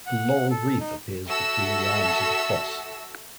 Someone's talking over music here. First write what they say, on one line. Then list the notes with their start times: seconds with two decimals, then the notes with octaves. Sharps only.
A laurel wreath appears between the arms of the cross.
0.07 F#5
0.50 A4
0.80 D#4
1.29 F#4 A4 E5 E6